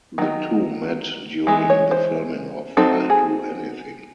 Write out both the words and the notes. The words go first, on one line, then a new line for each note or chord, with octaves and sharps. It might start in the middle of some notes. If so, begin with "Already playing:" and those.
The two met during the filming of "I'll Do Anything".
D#3 F#3 D#4
E3 G#3
C#5
C5
F#3 C4 D#4 A4
G#4